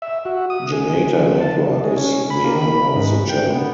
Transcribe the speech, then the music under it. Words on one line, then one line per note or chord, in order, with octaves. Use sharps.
Janata Network is the owner of the channel.
E5
F#4
D#6
G#4
F3
A5
G#3
C#4
B5
A#3
B5
G#2
G5
B3